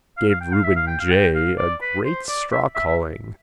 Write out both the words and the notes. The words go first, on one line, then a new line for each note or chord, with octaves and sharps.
Gave Reuben J. a great strawcalling.
F5
F5
G5
F5
E5
F5
G5
F5
G5
F5
D5
B4
C5
D5
E5
E5
E5